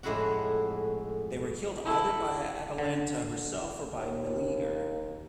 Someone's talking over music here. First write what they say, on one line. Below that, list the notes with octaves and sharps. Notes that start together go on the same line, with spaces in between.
They were killed either by Atalanta herself or by Meleager.
F2 A2 G#3 E4 F#4 F#5
E4 A4
D3
D#2